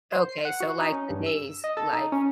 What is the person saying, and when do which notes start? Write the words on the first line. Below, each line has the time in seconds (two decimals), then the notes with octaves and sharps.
Okay, so, like, today's life?
0.12 C5
0.29 C7
0.45 F#5
0.60 F#4
0.80 D#4
0.92 C#4
1.10 G2
1.26 E6
1.64 D#5
1.77 A4
1.92 D#4
2.12 C#4